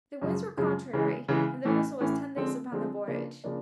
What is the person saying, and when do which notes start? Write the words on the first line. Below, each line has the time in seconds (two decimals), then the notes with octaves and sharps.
The winds were contrary, and the vessel was ten days upon the voyage.
0.22 F#2 C#3 F3 G#3
0.57 F#2 C#3 F3 G#3
0.93 C#3 E3 G#3
1.28 C#3 E3 G#3
1.65 A2 E3 A3 C#4
2.00 A2 E3 A3 C#4
2.36 D3 F3 G#3 C4
2.72 D3 F3 G#3 C4
3.07 C#3 F3 A#3 D4
3.44 C#3 F3 A#3 D4